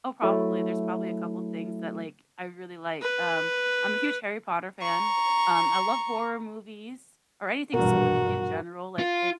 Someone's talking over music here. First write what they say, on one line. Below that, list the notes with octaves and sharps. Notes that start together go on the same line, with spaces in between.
Oh, probably, there's probably a couple of things that, like, I really like. Um, I'm a huge Harry Potter fan, um, I love horror movies or anything spooky in general, like, if
F#3 A3 E4
B4
A#5 C#6
A#1 E2 G2 B2 F#4 A#4
F4